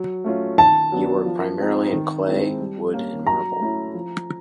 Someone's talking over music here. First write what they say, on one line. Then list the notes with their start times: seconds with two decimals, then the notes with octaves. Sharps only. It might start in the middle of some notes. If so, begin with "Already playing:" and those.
He worked primarily in clay, wood and marble.
Already playing: F#3
0.24 A3 C#4 F4
0.58 D#3 A5
0.92 F#3 B3 D4
1.26 F3
1.59 G#3 C4 D#4
1.93 D#3
2.26 G#3 C4 E4
2.60 G3
2.93 A#3 C#4
3.27 F#3 A#5
3.60 A3 C#4 E4
3.94 F3